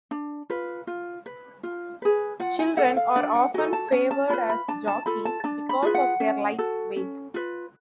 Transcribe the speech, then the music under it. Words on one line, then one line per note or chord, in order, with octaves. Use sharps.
Children are often favored as jockeys because of their light weight.
D4
F4 B4
F4
B4
F4
G#4 B4
F4 F#5
G#5
A4 F#5
F5
D4 D5
F#5
F#4 A4 G#5
A5
C#4 G#5
A5
F4 B4 B5
B5
D4 A5
A5
F4 A4 B5
A5
D4 A5
B5
F4 G#4 B4
F#5
C#4
F#4 A4
C#4
F4 B4